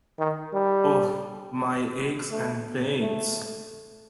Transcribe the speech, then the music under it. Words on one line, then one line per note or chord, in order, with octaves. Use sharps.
Oh, my aches and pains!
D#3
G3
A3
A3